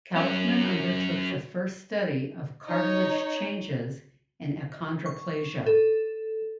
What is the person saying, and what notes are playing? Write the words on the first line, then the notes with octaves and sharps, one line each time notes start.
Kaufmann undertook the first study of cartilage changes in achondroplasia.
F#3 C#4
D#4 C#5
C#6
A4